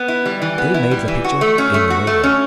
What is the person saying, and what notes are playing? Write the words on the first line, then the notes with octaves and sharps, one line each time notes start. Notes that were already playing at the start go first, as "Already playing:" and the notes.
They made the picture a memorial.
Already playing: B3
E4
G3
E3
B3
E4
G3
E3
F#4
A3
C#4
A3
F#4
A3
C#4